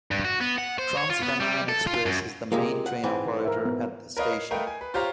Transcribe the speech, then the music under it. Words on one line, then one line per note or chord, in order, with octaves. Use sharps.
TransPennine Express is the main train operator at the station.
G2
F#4
B3
F#5
C5
C#5
F4
B3
G3
A4
F4
F#2
C3 G#3 A#3 F4 A#5
F#5
G#2 E3 C4
A#4 E5
B3
A#4 B4 C#5 D#5 F5
C7
A3 A#4 B4 D#5 F5 G5
G#5
B4
F4 G4 C5 C#5 F5 A#5